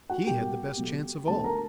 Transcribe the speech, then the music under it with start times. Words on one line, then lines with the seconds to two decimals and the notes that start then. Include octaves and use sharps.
He had the best chance of all.
0.10 F#4 F#5
0.26 B2 G3 A#3 G4 G5
0.77 B2 F#3 A3
1.28 D2 D3 F#3 B3 A4 A5
1.44 A#4 A#5